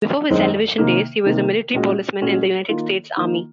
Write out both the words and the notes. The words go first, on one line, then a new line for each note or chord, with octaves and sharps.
Before his television days, he was a Military Policeman in the United States Army.
F#2 D#3 G#3 C4
C3 D#3 A#3
C3 D#3 A#3
A#2 G#3 C#4 F#4
A#2 G#3 C#4 F#4
D#3 A#3 F4
D#3 A#3 F4